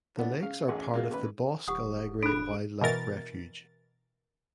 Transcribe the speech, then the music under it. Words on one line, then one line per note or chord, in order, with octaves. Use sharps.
The lakes are part of the Bosque Alegre Wildlife Refuge.
A2 B3 D4
C#3 F5
A1 F#2 G#4 F#5
B2 G#3 A#3
A1 B4
D#1 G4 F#5 D#6
D4 A4 B5 F#6 D7
B2 E3 A#4 A6